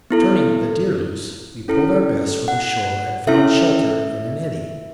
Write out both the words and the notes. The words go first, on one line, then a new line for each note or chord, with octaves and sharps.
Turning the deer loose, we pulled our best for the shore, and found shelter in an eddy.
B3 E4 A4
C#4 E4 A4
F#5
C#4 E4 A4 E5